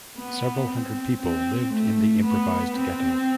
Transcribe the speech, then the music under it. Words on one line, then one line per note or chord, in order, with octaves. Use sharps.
Several hundred people lived in the improvised ghetto.
B3
C4
C4
A3
B3
C4